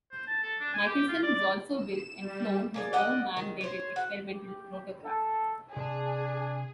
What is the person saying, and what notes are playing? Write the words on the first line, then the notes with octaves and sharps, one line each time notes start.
Michelson has also built and flown his own man-rated experimental rotorcraft.
C5
A5
A4
D4
G#5
G4
F4
D5
D5
E7
G3
A#3 G#4 D5
D5 D#5 F#5 G5
D#3
C5 C#5
F#4
G4
A4
C3 D4 G#4 B4 A5